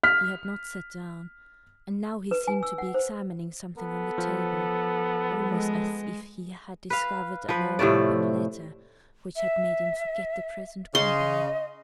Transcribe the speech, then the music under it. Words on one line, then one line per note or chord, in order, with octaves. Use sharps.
He had not sat down, and now he seemed to be examining something on the table, almost as if he had discovered an unopened letter, which had made him forget the present company.
F6 B6
B4
G#5
E6
F#5
C5
B3 A4
F3
G#3
B4 F5
F3 B4
A2 C3 A3 D5
E5
C#3 D#5 C6